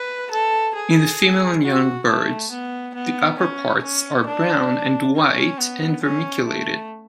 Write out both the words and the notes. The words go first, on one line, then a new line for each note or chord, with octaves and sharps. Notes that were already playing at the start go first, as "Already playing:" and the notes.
In the female and young birds, the upperparts are brown and white and vermiculated.
Already playing: B4
A4
G#4
F#4
A3
B3
B3
C#4
C#4
D4
C#4
B3
C#4
A3